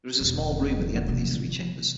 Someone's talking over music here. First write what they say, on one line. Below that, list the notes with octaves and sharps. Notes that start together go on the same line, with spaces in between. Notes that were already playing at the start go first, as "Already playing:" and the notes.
There is a small room at the end of these three chambers.
E1
C3 A#3